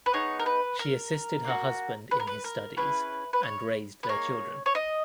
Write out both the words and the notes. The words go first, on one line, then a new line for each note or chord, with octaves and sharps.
She assisted her husband in his studies and raised their children.
B4
B3 D#4 G#4 C#5
A#4
B4
A#4
A#3 D#4 F#4
B4
A#4
B4
A#4
C#4 E4 G#4 B4
B4
C#5
B4
A#3 D#4 G#4 C#5
C#5
D#5